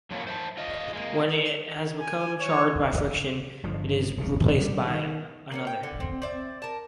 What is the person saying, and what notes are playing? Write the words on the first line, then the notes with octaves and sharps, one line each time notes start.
When it has become charred by friction, it is replaced by another.
F#2 A2 F3 A3 A#3 C#4
C5 E5 A5
F4 D#5 F5
G#3 A#3
G#5
C#5
G1 D3 F3
E1 C2 C#3
E1
G3
D#3
A#3 C4 C#4
G5
D3
C4
C4 D5 E5
A#4 A5